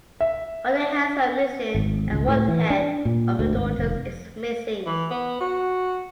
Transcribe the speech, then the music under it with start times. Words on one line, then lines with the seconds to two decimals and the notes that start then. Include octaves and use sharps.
All their hands are missing and one head of the daughters is missing.
0.21 E5
1.75 G#1
2.11 C#2
2.28 A2
2.48 E3
2.70 D4
3.05 A#2
3.39 D2
3.53 G#1
3.79 F1
4.86 E3
5.11 B3
5.41 F#4